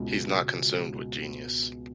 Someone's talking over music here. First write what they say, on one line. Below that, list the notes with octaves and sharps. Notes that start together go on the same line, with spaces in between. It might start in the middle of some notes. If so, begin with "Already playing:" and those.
He's not consumed with genius.
Already playing: C#2 B2